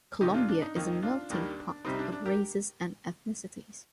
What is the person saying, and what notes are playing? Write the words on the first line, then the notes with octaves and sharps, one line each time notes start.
Colombia is a melting pot of races and ethnicities.
F2 C3 D#3 D#4 G4
D4 F4
D4
D#4
F2 D#3 A#3 D#4
D4 F4
D#2 D#3 G3 A#3 D4
C2 C3 G3 C4 D#4
D4
D4
G4 A#4